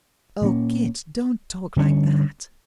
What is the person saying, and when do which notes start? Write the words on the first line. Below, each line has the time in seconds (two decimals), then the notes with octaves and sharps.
'Oh, Kit, don't talk like that.'
0.41 A#2 G3 A#3 C#4
1.76 D3 G3 A#3 C#4